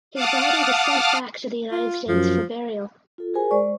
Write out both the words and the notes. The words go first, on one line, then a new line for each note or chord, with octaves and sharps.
His body was sent back to the United States for burial.
F5 F#5 A5 D6 D#6 F6
F4
F#2 F3
F4 A4
F#4 G#4 A#4 C5 G#5
G#3 C5 D5 C#6
C5